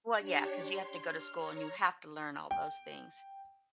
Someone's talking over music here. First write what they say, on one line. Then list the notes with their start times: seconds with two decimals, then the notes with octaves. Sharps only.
Well, yeah, 'cause you have to go to school, and you have to learn all those things.
0.18 D4 G4 C#5
0.58 C6
1.00 F6
1.36 C#5 A#5
2.51 G5